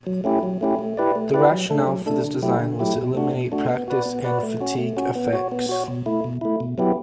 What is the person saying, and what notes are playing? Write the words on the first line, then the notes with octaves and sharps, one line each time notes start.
The rationale for this design was to eliminate practice and fatigue effects.
F#3
A3 C#4 E4 G4
F#3
A3 C#4 E4 G4
A3
E4 G4 B4 D5
A3
E4 G4 B4 D5
F#3
A3 D4 A4
F#3
A3 D4 A4
D3
F#3 A3 E4 G4
D3
F#3 A3 E4 G4
B2
A3 D4 F#4
B2
A3 D4 F#4
B3
F#4 B4 D5
B3
F#4 B4 D5
A3
C#4 F#4
A3
C#4 F#4
B3
F#4 C#5
B3
F#4 C#5
B2
A3 E4
B2
A3 E4
B2
F#3 B3 E4 G4